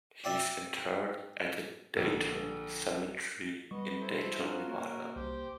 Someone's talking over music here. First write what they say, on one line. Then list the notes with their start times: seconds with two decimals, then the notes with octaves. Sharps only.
He is interred at the Dayton Cemetery in Dayton, Nevada.
0.24 C4 D5 E5
1.96 A#1 D3
3.71 G3 B3 D#5 C#6
4.01 E4 A4 C5
4.39 C#4 D4 F4 F#4 A#4 C5
4.68 A#3 C#4 F#4 A#4
5.16 C2 G4 C5 G5